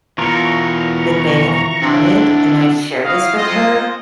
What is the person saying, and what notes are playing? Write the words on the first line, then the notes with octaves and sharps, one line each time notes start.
that they had wanted, and I shared this with her,
E2 B2 E3 F4 A#4 A#5 C#6
C4 D4 E4 F#4
E4 F#4 D#5 F5
G#3 C4 F4 C5 D#5